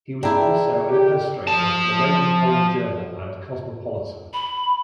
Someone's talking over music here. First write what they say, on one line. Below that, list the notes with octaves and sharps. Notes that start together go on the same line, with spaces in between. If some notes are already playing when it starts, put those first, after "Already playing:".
He was also an illustrator for the "Ladies Home Journal" and "Cosmopolitan".
D4 E4 G#4 G5 A#5
G4
F3 A5
B5